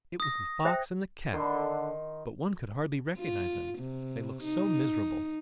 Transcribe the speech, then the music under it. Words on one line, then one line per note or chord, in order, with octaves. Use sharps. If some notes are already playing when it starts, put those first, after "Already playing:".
It was the Fox and the Cat, but one could hardly recognize them, they looked so miserable.
D#6 A#6
C5 E5 G5
D3 D#3 B5 C6
F4
C3
D#4